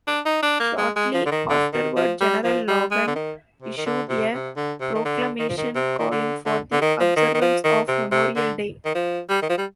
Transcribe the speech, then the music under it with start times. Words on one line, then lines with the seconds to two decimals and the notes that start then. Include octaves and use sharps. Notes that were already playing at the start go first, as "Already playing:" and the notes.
Shortly afterward General Logan issued a proclamation calling for the observance of Memorial Day.
0.08 D4
0.26 D#4
0.43 D4
0.60 A#3
0.78 G#3
0.96 G#3
1.14 F3
1.26 D3
1.31 D#3
1.49 D3
1.73 D#3
1.96 F3
2.21 G3
2.44 F3
2.68 G3
2.91 G#3
3.07 D3
3.16 D#3
3.62 C3
3.77 D#3
3.86 D3
4.09 C3
4.33 C3
4.56 D3
4.81 C3
4.95 D#3
5.05 D3
5.39 D#3
5.49 F3
5.57 D#3
5.75 C3
5.99 D#3
6.11 D3
6.46 D3
6.72 D3
6.82 D#3
7.00 F3
7.16 D#3
7.34 D#3
7.41 F3
7.64 D#3
7.88 C3
8.12 C3
8.36 D3
8.85 D#3
8.95 F3
9.30 G3
9.42 D#3
9.50 F3
9.58 G3